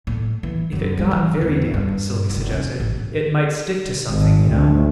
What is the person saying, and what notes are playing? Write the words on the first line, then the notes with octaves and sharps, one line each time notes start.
"If it got very damp," Sylvie suggested, "it might stick to something, you know."
A2
E3
F#2
G3
E3
E2
G2
F1
C#4
A1
G#1
D2